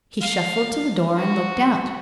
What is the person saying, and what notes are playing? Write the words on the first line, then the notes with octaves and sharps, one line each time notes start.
He shuffled to the door and looked out.
F5
F#4